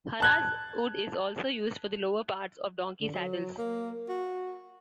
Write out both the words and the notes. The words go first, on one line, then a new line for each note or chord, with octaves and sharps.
"Haraz" wood is also used for the lower parts of donkey saddles.
A5 F#6 G#6
D3
F#3
A#3
F#4